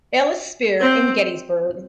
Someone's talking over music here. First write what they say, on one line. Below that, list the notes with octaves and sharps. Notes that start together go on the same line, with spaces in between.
Ellis Spear in Gettysburg.
C4